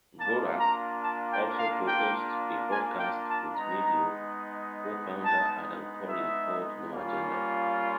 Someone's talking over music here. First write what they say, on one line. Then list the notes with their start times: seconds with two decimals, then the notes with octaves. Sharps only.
Dvorak also co-hosts a podcast with Mevio co-founder Adam Curry called "No Agenda".
0.19 A#3 D4 F4 A5
0.60 A#5
1.03 A5
1.32 G5
1.59 F5
1.87 G5
2.71 G#5
3.00 G5
3.28 A5
3.55 G#3 B3 D#4 A#5
5.25 A5
6.08 E5
6.93 G3 A#3 C#4 F4